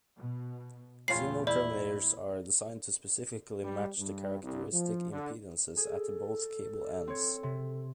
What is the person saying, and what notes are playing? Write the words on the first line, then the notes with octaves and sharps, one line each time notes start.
Signal terminators are designed to specifically match the characteristic impedances at both cable ends.
B2
E2 A#2 G3 A3 C#4 F4 C7
E4 D5
G3
G2
C2
F3
D3
G#4 A4
C4 C#5
C3